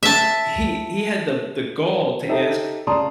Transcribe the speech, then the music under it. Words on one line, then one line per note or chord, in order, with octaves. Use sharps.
he he had the the gall to ask
E5 A5
D#4 G4 A4 E5
C#3 D5 A5 A#5 C6 D#6